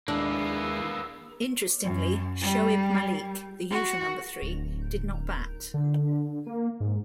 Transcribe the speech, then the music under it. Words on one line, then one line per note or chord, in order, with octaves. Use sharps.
Interestingly, Shoaib Malik - the usual number three - did not bat.
D#2 G#3 A#3 B3 D4 E4 E6
F#2
G3
F#4
D1
D3
A#3
G#2